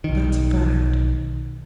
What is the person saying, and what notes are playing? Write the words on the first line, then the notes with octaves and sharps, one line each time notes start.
That's a fact!
B1 D#3